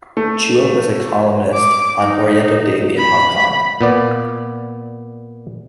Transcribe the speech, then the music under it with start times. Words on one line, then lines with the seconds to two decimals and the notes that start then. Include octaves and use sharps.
Chua was a columnist on "Oriental Daily" in Hong Kong.
0.17 A3
1.54 D6
2.01 D#4
2.97 B5
3.81 A#2 B3 D5